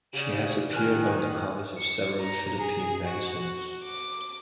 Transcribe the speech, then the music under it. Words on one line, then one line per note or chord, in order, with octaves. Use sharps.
She has appeared on the covers of several Philippine magazines.
C#3 G3 F#4 G4
D#3 G#5 F6 F#6
C#7
A#5
G#4
F#4
D6